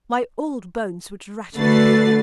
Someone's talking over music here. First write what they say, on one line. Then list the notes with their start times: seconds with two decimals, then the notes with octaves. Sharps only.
My old bones would rattle.'
1.57 D3 A3 F#4 B4 A6 C7